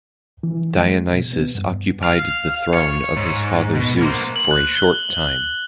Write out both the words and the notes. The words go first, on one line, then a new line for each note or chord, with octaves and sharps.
Dionysus occupied the throne of his father Zeus for a short time.
E3
G#3
F2
B2
B3
G2
F5
C#5
G#2
B2
A#3 C5
F#7
F#6
G7